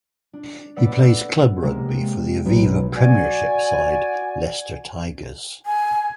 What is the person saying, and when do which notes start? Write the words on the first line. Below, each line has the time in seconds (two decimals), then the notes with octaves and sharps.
He plays club rugby for the Aviva Premiership side Leicester Tigers.
0.33 D4
0.76 A3 B3 D5 F#5 E6 B6
1.63 C3 G#3 A#3
2.45 B1
2.96 F#4 D5 G#5
5.66 G#5